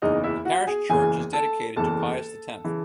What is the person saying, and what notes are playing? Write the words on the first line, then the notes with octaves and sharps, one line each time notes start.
The Parish Church is dedicated to Pius the Tenth.
F#1 E2 C#3 E3 D#4 D#5
E4 E5
F#4 F#5
G#4 G#5
F#1 E2 C#3 E3 G#4 G#5
A4 A5
F#1 E2 C#3 E3 A4 A5
C#3 E3